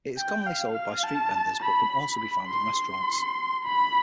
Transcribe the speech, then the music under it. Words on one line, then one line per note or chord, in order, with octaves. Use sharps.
It is commonly sold by street vendors but can also be found in restaurants.
G5
F5
F5
A5
B5
B5
C6
C6
B5